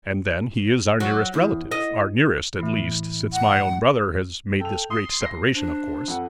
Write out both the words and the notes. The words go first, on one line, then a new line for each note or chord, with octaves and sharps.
And then he is our nearest relative,--our nearest, at least, since my own brother has made this great separation, of course.
F#3
E2
D#5
A2 E3
F#5
A4 G5 F7
C6 D#6 C7
A#6 C7
D4 C5
F2 A4 F#5